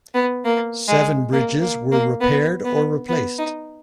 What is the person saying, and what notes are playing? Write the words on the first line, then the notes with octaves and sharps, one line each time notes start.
Seven bridges were repaired or replaced.
B3
A#3
G#3
A#3
A#3
A#3
B3
B3
B3
D#4